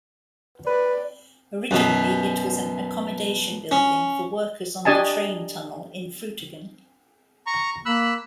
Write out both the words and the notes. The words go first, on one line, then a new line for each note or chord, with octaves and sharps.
Originally it was an accommodation building for workers on the train tunnel in Frutigen.
B4 D5
F#2 B2
C#4
D4 G4 D#5 G#5 A5
A#5 C#6
A#3 B5 E6 F#6